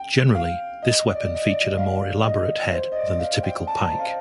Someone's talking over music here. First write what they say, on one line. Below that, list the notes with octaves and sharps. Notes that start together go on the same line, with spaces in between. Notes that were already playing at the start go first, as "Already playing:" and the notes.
Generally, this weapon featured a more elaborate head than the typical pike.
Already playing: G5
F5
D#5
D#5
D5
D#5
D5
F5
D#5
C5
D#5
D5
F5
G5
A5
A#5
A5
F5